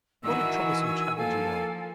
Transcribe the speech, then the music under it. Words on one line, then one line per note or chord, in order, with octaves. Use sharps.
What a troublesome child you are!
D#3 E3 F#4 G#5 E6
F3 A#3 A4 F5 G#5